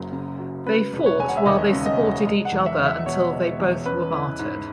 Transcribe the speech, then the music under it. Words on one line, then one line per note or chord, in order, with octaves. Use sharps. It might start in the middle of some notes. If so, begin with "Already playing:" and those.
They fought while they supported each other until they both were martyred.
Already playing: F#1 F#2 C#3 F#3
C#3
F#3
C#3 B4
E1
C#5
E1 G#5
F#5
E5
D#2 D#5
C#3
D#5
E1
G#3
F#5
E2
E5
E2
E5
B2 C#5
G#3
E2
C#4 B4
E4
G#2